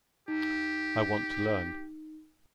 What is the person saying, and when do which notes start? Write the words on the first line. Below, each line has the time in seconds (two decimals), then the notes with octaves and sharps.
I want to learn.
0.28 D#4 G4